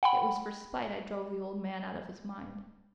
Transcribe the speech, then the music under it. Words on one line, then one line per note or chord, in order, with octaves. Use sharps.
It was for spite I drove the old man out of his mind....
F#5 G5 B5